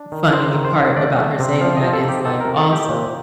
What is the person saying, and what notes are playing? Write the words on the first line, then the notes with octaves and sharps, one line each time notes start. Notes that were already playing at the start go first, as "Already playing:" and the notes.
funny part about her saying that is, like, also
Already playing: D4
D#3
D#4 C5
D#3
C5
D#3
A3 D5
A3
C3
F3 F5
D#5
F3
A4
D#4
G4
C4 A4
A#4
C3
A4
A3 G4
A#2